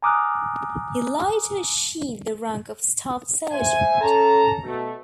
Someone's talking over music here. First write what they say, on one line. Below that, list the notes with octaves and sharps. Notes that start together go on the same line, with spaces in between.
He later achieved the rank of staff-sergeant.
G#5 A#5 D6 D#6 F6 F#6
C5 E5 G#5
C#4 A4 A5 A#5
B2 A3